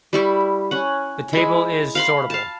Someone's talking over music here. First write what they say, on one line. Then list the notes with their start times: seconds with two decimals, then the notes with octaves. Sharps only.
The table is sortable.
0.13 G3 E4 C#6
0.71 C#4 F#5
1.33 G#3 E4
1.95 F5 B5 C6
2.30 F5 A5